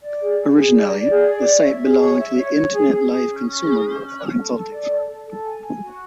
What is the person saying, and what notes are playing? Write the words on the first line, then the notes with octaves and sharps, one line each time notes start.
Originally, the site belonged to Internet Life Consumer Group, a consulting firm.
D5
G#4
G#4
G#4
D5
D5
G#4
D5
C#5
E5
G#4
C#5
E5
C#5
C#5
G#4
G#4
G#4
C#4
C#4
G#4
C#4
C#4
C#4
A4
A4
D5
A4
A4
A4
G#5
G#5
F#4